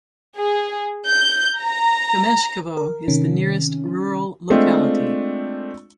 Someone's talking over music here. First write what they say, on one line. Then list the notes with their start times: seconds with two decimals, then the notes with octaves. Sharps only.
Kameshkovo is the nearest rural locality.
0.37 G#4
1.05 G6
1.59 A#5
2.77 A#4
3.08 C3 D#3 C#4
4.50 G#3 A3 C4 D4 F4